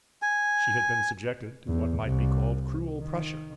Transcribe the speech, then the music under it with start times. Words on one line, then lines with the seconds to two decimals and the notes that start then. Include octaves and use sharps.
She had been subjected to what might be called cruel pressure.
0.22 G#5
1.68 E2
2.03 C2
2.99 D#3